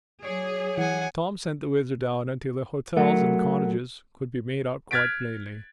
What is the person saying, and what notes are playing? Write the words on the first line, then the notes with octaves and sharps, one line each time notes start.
Tom sent the WHIZZER down until the hotels and cottages could be made out quite plainly.
F#3 G#4 C#5 D5
E3 F#5 G#5
F#3 A3 A#4 F#5
F6 F#6 G#6 A6 B6 D7